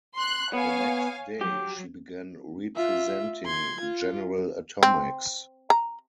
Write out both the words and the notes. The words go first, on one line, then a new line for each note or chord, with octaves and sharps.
The next day, she began representing General Atomics.
C6 F#6
B3 C#5 F5 G#5
F#3 G4
F4 E5
C6 G#6
F4
C4
A#5